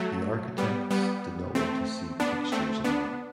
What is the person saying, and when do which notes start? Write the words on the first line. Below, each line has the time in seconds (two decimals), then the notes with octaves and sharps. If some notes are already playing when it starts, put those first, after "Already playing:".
The architects did not want to see the fixtures at all.
Already playing: F#3 A3
0.58 G3 B3
0.91 G3 B3
1.55 A3 C4
2.20 B3 D4
2.52 A3 C4
2.84 B3 D4